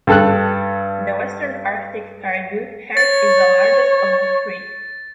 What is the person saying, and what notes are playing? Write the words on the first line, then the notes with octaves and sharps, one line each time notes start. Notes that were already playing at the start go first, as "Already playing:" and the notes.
The Western Arctic caribou herd is the largest of the three.
G2 A4 F#6
C#5 A6